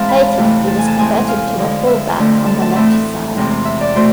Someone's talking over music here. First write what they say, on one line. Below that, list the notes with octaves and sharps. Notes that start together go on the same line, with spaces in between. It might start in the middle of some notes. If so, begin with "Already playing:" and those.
Later, he was converted to a full back on the left side.
Already playing: G#2 E3 G#3 C4 F5 A5
B5
E2 C3 E3 A3 C4
A5
G#5
A5
A2 E3 G#3 C4 G#5
F5
F2 D3 G#3
E5
F2 D3 A3 C4
A5
A5
A2 E3 A3 C4 E5
E2 C3 G#3 C4
E5
D5
B2 A3 C4 C5